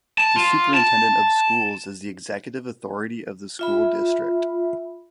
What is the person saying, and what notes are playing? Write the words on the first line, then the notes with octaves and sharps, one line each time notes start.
The Superintendent of Schools is the executive authority of the school district.
A5
F4
A5
F4 E5 B5